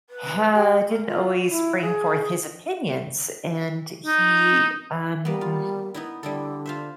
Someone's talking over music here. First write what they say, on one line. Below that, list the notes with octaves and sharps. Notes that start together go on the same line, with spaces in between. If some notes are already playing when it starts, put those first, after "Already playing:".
ha didn't always bring forth his opinions, and he, um
B4
G4
A#4
F4
E4
G#4
D#4
G3 A#3 B3
F4
B3 D#4 E4
D3 G3 E4 A4
F4 C5 E5